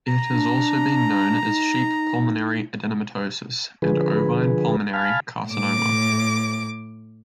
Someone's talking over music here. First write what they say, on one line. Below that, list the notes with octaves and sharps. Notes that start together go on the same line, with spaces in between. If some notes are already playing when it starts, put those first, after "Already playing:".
It has also been known as sheep pulmonary adenomatosis and ovine pulmonary carcinoma.
A#5
D4
D#4
D3 F3 G#4 B4
F5 G#5 A5 B5 F6
A2 D6